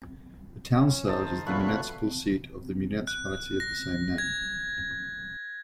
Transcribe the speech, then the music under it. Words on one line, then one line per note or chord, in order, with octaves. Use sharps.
The town serves as the municipal seat of the municipality of the same name.
C#4
G#2 D#3 C5 A5
A#2 A3 B3 C#4 F#4 B4 F5
F#6
A#6
G#6